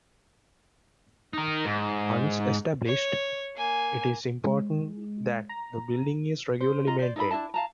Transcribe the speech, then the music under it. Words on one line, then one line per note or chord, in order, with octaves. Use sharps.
Once established, it is important that the building is regularly maintained.
D#4 A#4
G#2
C#5
A#3 G#5
G#3
A#5
C5
F4 D#5 A#5
C5 D5
D#4 A4 E5 B5
D4 E4 D#5 A5
F5 A5 A#5